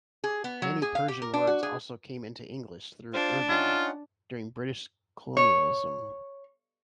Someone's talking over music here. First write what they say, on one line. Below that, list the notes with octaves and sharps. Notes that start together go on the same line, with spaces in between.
Many Persian words also came into English through Urdu during British colonialism.
G#4
B3
F#3
G#4
F5
G4
A#4
D4
F#4
G#4
D4 F4 C5 F5
C#4 D#4 F4 F#5
C#5